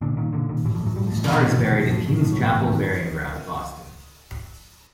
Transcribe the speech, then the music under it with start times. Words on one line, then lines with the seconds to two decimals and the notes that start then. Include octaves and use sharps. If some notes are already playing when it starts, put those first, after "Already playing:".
Starr is buried in King's Chapel Burying Ground, Boston.
0.01 A#2 D3
0.17 A#2 D#3
0.33 A#2 D3
0.49 A#2 D#3
0.64 A2 E3
0.75 F3
0.80 A2
0.86 F#3
0.95 A2 G3
1.06 F3
1.11 A2
1.17 E3
1.28 B2
1.42 B2
1.58 B2 E3
1.69 B2 D#3
1.80 F3
1.90 A2 F3
2.06 A2
2.21 A2 F3
2.32 F#3
2.37 A2 F3
2.53 A2 E3
2.68 A2 D#3